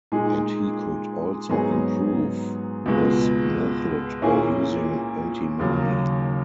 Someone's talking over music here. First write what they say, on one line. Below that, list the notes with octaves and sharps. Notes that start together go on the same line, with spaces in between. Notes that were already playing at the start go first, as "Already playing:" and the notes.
And he could also improve this method by using antimony.
A#2 G#3 D#4 G#4
G#2 F#3 B3 D#4 G#4
C#2 B2 G#3
A#2 A#3 C#4 E4 G#4
D#2 C#3 F#3 A#3